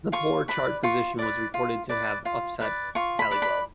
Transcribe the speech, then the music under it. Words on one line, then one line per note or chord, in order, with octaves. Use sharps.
The poor chart position was reported to have upset Halliwell.
F4 C#6
B4 D5 B5
F4 C#6
B4 D5
F4
B4 D5
F4
B4 D5
F4 C#6
B5
B4 D5
B5